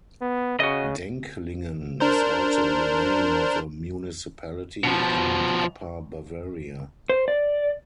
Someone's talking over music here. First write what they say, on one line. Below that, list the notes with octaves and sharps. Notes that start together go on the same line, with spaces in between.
Denklingen is also the name of a municipality in Upper Bavaria.
B3
C#3 F#4 D#5
D4 A#4 C5
B2 F3
C5
D5